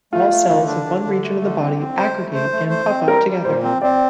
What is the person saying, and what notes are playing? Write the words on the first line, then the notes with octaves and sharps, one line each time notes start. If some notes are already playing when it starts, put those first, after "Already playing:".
All cells of one region of the body aggregate and puff up together.
A3 F4
A3
D3
D4
D3
D3
A3
D3
C4
C4
C5
A3
C5
A3
C5
C4
G3 A#4
G3
A#2 C5
C4
C4 D5